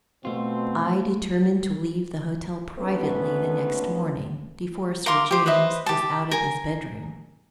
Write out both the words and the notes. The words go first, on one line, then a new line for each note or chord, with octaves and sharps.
I determine to leave the hotel privately the next morning before Sir James is out of his bedroom.
B2 A3 C4 F4
D2 G#2 A3 B3 C#4 B4
A#4 F5 C6 D6
G4 C5
B4 C5 D#5 E5
G4 A5
A#4 G#5